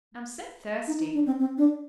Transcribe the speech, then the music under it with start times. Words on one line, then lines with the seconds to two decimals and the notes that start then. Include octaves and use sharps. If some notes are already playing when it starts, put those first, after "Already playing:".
"I am so thirsty."
0.87 D#4
1.01 D#4
1.14 D4
1.27 C4
1.39 C4
1.58 D4